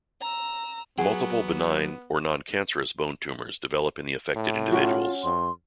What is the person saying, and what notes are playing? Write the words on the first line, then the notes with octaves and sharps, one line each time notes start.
Multiple benign or noncancerous bone tumors develop in the affected individuals.
A#5 E6
F#3 B3 G#4 F#5
A2
C#4 F4 F#4
F2 C6